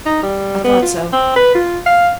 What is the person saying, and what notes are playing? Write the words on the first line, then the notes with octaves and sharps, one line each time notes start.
I thought so.
D#4
G3
B3
F4
C4
B4
F4
F5